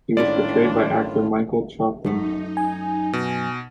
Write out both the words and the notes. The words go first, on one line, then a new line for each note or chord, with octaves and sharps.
He was portrayed by actor Michael Troughton.
A2 D#3 G#3 C#4 D4 E4 F4 D5
F#2 A3 D#4
G#5
B2